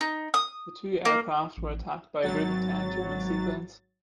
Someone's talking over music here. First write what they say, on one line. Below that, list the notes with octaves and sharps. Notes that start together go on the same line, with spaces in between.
The two aircraft were attacked by a group of ten German seaplanes.
D#4
D#6
A#3
A1
G#1 F#3 A6